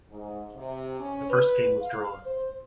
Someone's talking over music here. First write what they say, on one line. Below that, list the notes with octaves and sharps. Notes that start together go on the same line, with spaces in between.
The first game was drawn.
G#2
C3
C#4
B4
F5
C5